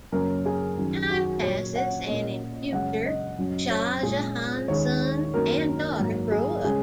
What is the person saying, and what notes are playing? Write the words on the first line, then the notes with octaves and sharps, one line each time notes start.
Time passes, and in future Shah Jahan's sons and daughter grow up.
F#2 C#3 F#3 A#3 C#4 A#4
G#4
F#2 D#3 F#3 C#4
F#4
A#2 F#3 A#3 C#5
F#5
A#2 A#3 C#4 D#5
F#2 C#3 G#3 C#4 F#5
D#5
F#2 F#3 C#4
C#5
A#2 G#3 C#4 G#4
D#2 D#3 G#3 C#4 C#5
F#2 D#3 F#3 A#3 A#4
G#2 F#3 A#3
G#4
C#3 G#3 C#4 G#4